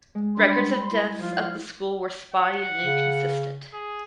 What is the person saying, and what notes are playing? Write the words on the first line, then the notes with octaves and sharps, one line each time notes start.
Records of deaths at the school were spotty and inconsistent.
G#3
G3 D4 B5 C6
E4
F3 F4
F#5
C#3
G#4